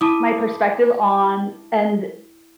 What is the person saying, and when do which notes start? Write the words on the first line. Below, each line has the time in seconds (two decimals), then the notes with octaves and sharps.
my perspective on and
0.01 E4 A5 D6 D#6 D#7